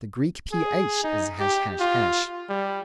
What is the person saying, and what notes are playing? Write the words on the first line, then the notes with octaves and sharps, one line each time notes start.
The Greek ph is ### .
G#4
D#4
G4
F4
G3